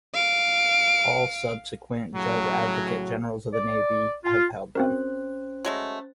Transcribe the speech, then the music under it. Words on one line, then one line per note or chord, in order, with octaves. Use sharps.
All subsequent Judge Advocate Generals of the Navy have held them.
F5 D7
A2 C#3 F#3
D5
F4
C4 C#4 F#4 A#4 C5 F#6
F#3 G#3 A3